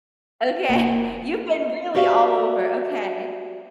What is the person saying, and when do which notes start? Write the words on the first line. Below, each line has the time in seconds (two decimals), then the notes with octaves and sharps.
Okay, you've been really all over, okay.
0.69 F1 A#3
1.95 F#4 G4 C5 D5 E5 F5